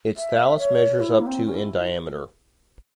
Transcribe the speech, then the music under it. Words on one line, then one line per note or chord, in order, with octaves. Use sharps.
Its thallus measures up to in diameter.
E5
C#5
E4
A#3
C4
C#4
E4